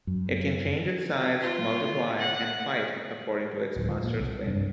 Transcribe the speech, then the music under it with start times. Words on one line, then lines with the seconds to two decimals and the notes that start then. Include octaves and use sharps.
It can change its size, multiply, and fight according to its master's whim.
0.07 F#2
1.42 F4
2.18 F#5
3.76 D1
3.89 F3
4.04 A#2
4.20 C2
4.48 G2